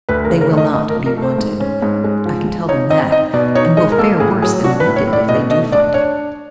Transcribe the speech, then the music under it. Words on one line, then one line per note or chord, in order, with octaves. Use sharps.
They will not be wanted, I can tell them that, and will fare worse than we did if they do find it.
D2 B4
A#4
C#3
A#4
A3
D#5
A3 D#5
A#4
F3
A#4
A3
C5
G#2
C#4
G#2
G#3
F3
F3
D#4 C#5
C4 D#5
D#4 D#5
B2 D5
D#4 C#5
G#3 D#5
A#4
A#3 A4
A2 G#4
F#3 G#4
D4 F#4
B4
A2
C#5
A2
D5
B2 D#5
A3 D#5
D4 D5
D4 C#5